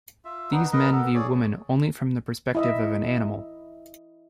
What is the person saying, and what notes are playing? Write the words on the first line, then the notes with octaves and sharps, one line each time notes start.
These men view women only from the perspective of an animal.
F4 E5
B3 D4 D#4
A#4 B4 D#5
B3 A4
G#4 C#5 D5
E4 D#5 E5